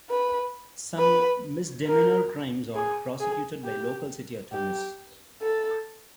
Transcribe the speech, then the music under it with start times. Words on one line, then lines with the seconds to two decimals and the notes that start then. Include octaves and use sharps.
Some misdemeanor crimes are prosecuted by local city attorneys.
0.10 B4
0.98 B4
1.87 A#4
2.75 G#4
3.20 G#4
3.64 G4
4.52 G4
5.42 A4